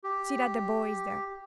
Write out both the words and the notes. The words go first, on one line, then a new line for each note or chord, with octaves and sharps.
See that the boy is there.
G4